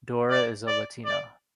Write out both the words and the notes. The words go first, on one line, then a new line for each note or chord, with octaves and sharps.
Dora is a Latina.
D5
D5
D5